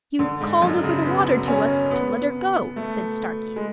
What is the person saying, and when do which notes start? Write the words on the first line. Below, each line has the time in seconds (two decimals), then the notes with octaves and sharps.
"You called over the water to us to let her go," said Starkey.
0.19 D3
0.41 G#2
0.62 F#2
0.83 C#3
1.05 B3
1.48 C#4
1.91 B3
2.76 A3
3.56 G#3